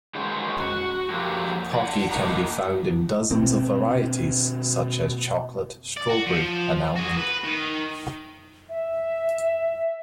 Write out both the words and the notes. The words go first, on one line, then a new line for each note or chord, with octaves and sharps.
Pocky can be found in dozens of varieties such as chocolate, strawberry, and almond.
D#3 G#3 C#4 F#4 C5 C#5
F#4
F3 F#3 A3 A#3 F4 G4
D5 D#5 F#5
A#2 A3 A#3 D4 D#4 A#5
B2 C4
D5
F#4
F3
F#4 G#4
B4
D#3
E5